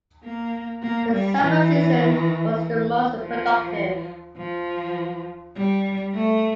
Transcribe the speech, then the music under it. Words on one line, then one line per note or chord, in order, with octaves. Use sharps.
The summer season was the most productive.
A#3
A#3
G3
E3
F3
F3
G3
A3